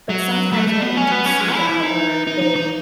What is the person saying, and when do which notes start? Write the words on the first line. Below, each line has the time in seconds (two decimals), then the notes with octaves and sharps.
But sometimes when you do see that, where they
0.09 F#3
0.52 A3
0.67 A3
0.82 B3
0.97 C#4
1.12 B3
1.26 C#4
1.40 G#3
1.55 E4
1.69 E4
1.83 D#4
2.27 D#4
2.42 D#4
2.56 D#4